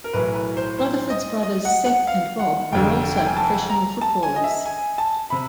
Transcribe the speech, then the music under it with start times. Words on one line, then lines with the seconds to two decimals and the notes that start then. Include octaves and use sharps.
Rutherford's brothers Sep and Bob were also professional footballers.
0.04 A#4
0.13 B1 A2 E3 B4
0.35 B4
0.57 C5
0.78 C5
1.10 D#5
1.43 D#5
1.65 F#5
1.86 F#5
2.07 F5
2.39 F#5
2.72 F1 F2 D3 G5
3.17 G5
3.26 G#5
3.37 A5
3.70 A#5
4.01 A5
4.23 G#5
4.36 D#5
4.44 E5
4.66 G#5
4.98 A5
5.30 C3 B5